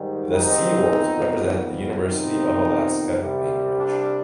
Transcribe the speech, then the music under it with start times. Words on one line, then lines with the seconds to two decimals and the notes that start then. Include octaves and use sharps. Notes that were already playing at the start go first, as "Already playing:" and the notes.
The Seawolves represent the University of Alaska Anchorage.
Already playing: G#2 D#3 G3
0.31 C4 D#4
0.89 F2 D#3 B3
2.04 F2 C3 D#3 B3 C4 D#4
3.19 C2 C3 G3
3.76 D4